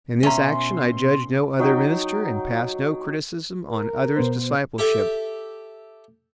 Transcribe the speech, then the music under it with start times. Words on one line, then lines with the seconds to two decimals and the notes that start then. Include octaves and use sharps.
In this action I judge no other minister and pass no criticism on others' discipleship.
0.23 B2 C#4 E5 A#5 C6
1.59 F#3 D#4 G5
3.69 A#4
4.16 B2 B3 C5
4.78 G4 A4 E5